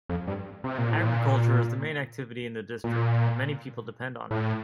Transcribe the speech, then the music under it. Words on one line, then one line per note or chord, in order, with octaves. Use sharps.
Agriculture is the main activity in the district and many people depend on it.
F2
G2
C3
A#2
A2
A#2
A#2
A2